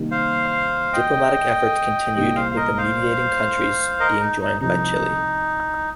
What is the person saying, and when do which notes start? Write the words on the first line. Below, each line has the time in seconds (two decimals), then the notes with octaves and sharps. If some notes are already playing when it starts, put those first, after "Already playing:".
Diplomatic efforts continued, with the mediating countries being joined by Chile.
Already playing: C3 D#3 G3 A#3
0.11 C5 F5
0.93 D#5 G5
2.16 C2 A#2 G3 D#5 G5
2.36 C5 F5
2.52 F5
2.56 A#4 D#5
2.78 C5 F5
4.00 A#4 D#5
4.20 D#4
4.41 D#4
4.61 C2 C3 F3 C4 D#4